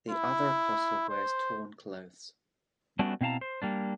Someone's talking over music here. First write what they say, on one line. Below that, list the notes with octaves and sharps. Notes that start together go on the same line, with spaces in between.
The other apostle wears torn clothes.
E4
C5
G3 A3 B3 C#4 D4 F#4
B2 C4 E4 F5 A5 A#5
C5
G3 A#3 D4